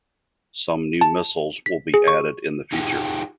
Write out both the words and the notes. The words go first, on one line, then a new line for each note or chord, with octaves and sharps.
Some new missiles will be added in future.
A5
B6
G#4
C#6
D#4 F4 G4 G#4